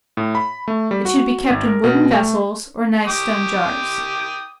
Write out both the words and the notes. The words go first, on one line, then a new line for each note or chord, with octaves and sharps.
It should be kept in wooden vessels, or nice stone jars.
A2
B5
A3
G3
F#4
G#1
A#4
B2
A3
G5 D6 D#6